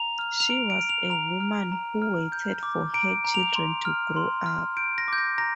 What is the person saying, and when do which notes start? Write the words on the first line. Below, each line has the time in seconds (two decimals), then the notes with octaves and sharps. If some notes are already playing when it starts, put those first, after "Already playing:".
She was a woman who waited for her children to grow up.
Already playing: A#5 F7
0.19 F6
0.40 F7
0.50 A#5 D7
0.70 D7
0.80 F6
0.89 F7
1.10 A#5 F7
1.40 F6
1.72 A#5
2.02 F6
2.32 G6
2.63 D6
2.94 A#5 D7
3.25 A#5
3.34 F7
3.55 C6
3.85 F6
4.16 C6
4.46 F6
4.77 G6 D7
4.98 A#6
5.08 D6 G6
5.18 A#6
5.38 A#5 A#6